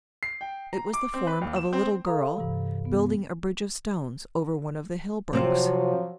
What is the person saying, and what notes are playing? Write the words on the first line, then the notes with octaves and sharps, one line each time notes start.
It was the form of a little girl, building a bridge of stones over one of the hill-brooks.
C7
G5
A#5
D6
C4
B4
D#2
E7
C4
A4 F5 A#5 D#6
G2 C3 E3
B3
C3 F3 F#3 C4